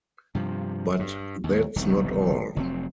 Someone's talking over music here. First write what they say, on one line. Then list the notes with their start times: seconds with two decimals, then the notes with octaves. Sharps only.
But that's not all.
0.35 G2 C3 F3
0.99 G2
1.44 D#2
1.76 E1 C2 A2 D#3
2.56 F1 F#3 C4